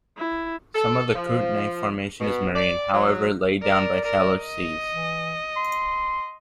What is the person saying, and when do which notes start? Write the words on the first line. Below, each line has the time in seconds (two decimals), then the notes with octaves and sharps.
Some of the Kootenai Formation is marine, however, laid down by shallow seas.
0.17 E4
0.75 A4
1.15 F3
2.20 B2
2.55 D5
2.93 F#3
3.63 A#4 D5
4.05 A#4
4.41 D#5
4.93 E3
5.56 C6